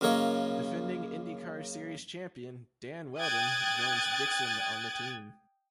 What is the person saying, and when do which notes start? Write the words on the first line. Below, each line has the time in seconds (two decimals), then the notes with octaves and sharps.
Defending IndyCar Series champion, Dan Wheldon joins Dixon on the team.
0.01 F#2 C#3 A#3 A#4 C#5 D#5
3.18 G5 D#6 F#6 G#6 A6